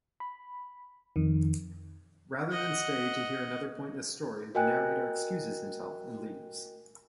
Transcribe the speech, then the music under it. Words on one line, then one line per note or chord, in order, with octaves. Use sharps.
Rather than stay to hear another pointless story, the narrator excuses himself and leaves.
B5
F2 D#3
D#5 F#5
F#4 A#4 D#5 G5 G#5 F#6